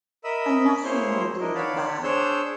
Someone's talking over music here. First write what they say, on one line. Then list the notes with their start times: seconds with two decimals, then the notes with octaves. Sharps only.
And nothing will bring them back.
0.24 A#4 D#5 E5 B5 D#6 E6
0.84 A#3 E4 G#4 C5 C#5 C6
1.40 D4 E4 A#4 D#5
1.55 C#5 D5 F5 F#5 A5 B5
2.04 D4 G#4 C5 C#5 E6 G6